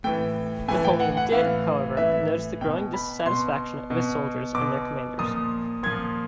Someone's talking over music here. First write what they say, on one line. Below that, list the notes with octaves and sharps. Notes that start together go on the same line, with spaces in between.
Napoleon did, however, notice the growing dissatisfaction of his soldiers and their commanders.
A2 E3 G5
A2 E3 G#5
G5
F#5
F#5
A2 E3 F5
A2 E3 E5
B2 G5
B5
B2 C6
B2
B2 D6
A#2 F3 D#6
A#2 F3 G#6